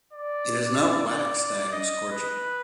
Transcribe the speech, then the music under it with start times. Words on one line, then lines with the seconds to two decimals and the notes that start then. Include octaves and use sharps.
It is not wax that I am scorching.
0.13 D5
1.72 D#5
2.12 B4